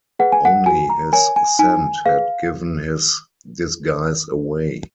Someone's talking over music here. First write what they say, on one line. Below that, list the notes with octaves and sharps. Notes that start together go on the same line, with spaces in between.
Only his scent had given his disguise away.
G#4 B4 F#5
G#5
F#5
F#4 G#5
A#5
A#4 C#5 G#5
G#5
D#4 G#5
G#4 B4 F5